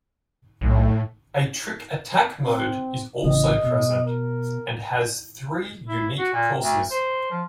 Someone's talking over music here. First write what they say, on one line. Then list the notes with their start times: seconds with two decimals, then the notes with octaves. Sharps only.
A trick attack mode is also present and has three unique courses.
0.61 B1 A2
2.44 C4
3.24 A1 C#3 E3 D#5
3.63 B2
4.05 A#4
5.88 E4
6.19 F#4
6.33 A#2
6.61 D2
6.91 C5
7.30 F3